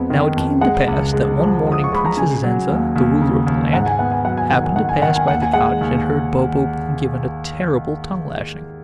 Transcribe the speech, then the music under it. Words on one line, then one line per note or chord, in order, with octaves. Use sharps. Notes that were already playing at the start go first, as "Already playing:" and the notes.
Now it came to pass that one morning Princess Zenza, the ruler of the land, happened to pass by the cottage and heard Bobo being given a terrible tongue-lashing.
Already playing: F2 G#3 B3
D#3
F2
G#3 F#5
C#2
G#3
F3
G#3
D#6
C#6
G#3 B5
A#5
C#3 G#5
F#3
D#2
D#2
C#3
D#2
G#2 F#5
G#5
B3 F#5
G#5
F#3 F#5
G#5
D#3 F#5
G#5
D#3 F#5
G#5
D#3 F#5
G#5
D#2 F#5
G#5
G#3 F#5
D#2